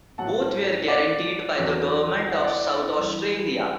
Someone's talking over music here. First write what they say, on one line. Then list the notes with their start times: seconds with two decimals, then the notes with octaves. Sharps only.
Both were guaranteed by the Government of South Australia.
0.18 A2 F#3 F#5 A5
0.88 D5 F#5
1.58 E2 D3 F#3
2.28 F#5
2.36 E5
2.43 D5 F#5
2.97 G2 E3
3.63 F#5